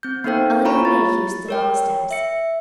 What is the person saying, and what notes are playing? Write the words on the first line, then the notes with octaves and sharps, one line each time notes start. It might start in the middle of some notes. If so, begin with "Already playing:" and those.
Elinor Mayhew stood on the steps.
C4 G6
A#3 B3 D#4 A4 C5 G5
E4 F4 C#5 A#5 B5 C#6
A6
A#4 C#5 G5
E5 C#7